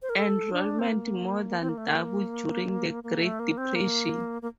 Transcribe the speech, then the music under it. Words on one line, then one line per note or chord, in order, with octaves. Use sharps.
Enrollment more than doubled during the Great Depression.
C5
A#4
A4
D4
C4
A#3
C4
A#3
A3
A#3
A#3
A3
A#3
C4
A#3
A#3